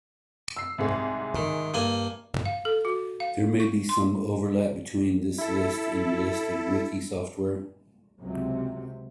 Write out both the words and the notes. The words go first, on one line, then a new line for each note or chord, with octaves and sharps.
There may be some overlap between this list and the list of wiki software.
E6 C7
C2 G#2 G#4
D#3
G2 A#3 G#5
F5
A4
F#4
F5
C#6
C6
E4 A4
C#2 C3 F#3